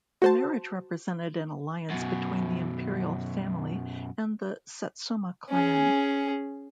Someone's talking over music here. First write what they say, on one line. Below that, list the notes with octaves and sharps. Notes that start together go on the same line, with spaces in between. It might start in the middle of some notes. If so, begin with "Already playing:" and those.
The marriage represented an alliance between the imperial family and the Satsuma clan.
F#4 C5 A5
F#2 B2
C#4 G#4